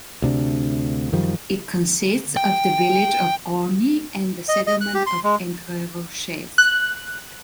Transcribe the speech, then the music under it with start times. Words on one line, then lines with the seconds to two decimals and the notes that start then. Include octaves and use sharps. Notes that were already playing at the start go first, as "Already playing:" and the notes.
It consists of the village of Orny and the settlement of Entreroches.
0.22 D2 C3 D4
1.12 F#2 D#3 F3 G3
2.37 G5
4.49 D#5
4.67 D#5
4.81 F#6
4.94 G4
5.06 C6
5.24 G#3
6.58 F#6